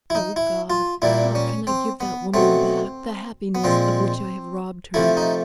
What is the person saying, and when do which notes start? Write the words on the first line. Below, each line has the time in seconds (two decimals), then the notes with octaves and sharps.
"Oh, God, how can I give that woman back the happiness of which I have robbed her!"
0.10 E4
0.15 D#4
0.36 E4
0.70 F4
1.02 A#2 G3 A#3 E4
1.35 C#4
1.67 C4
2.01 B3
2.34 B2 F#3 A3 C4
3.55 B3
3.64 A#2 F3 G#3 C4
4.94 C3 F3 A3 E4
5.17 D#4